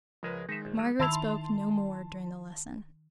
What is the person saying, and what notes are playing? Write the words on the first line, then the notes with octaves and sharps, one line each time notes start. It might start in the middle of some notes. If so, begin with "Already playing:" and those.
Margaret spoke no more during the lesson.
C#2 F3 G#3 A#4 B4
D#3 G#3 D#4 E5
A#1
F#3
D#3 E4 A5 C6 F7